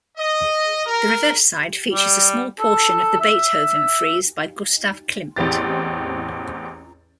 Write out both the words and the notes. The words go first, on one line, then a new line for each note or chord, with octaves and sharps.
The reverse side features a small portion of the "Beethoven Frieze" by Gustav Klimt.
D#5
A#4
G3
A4
E5
A1 E2 C4 G4 A6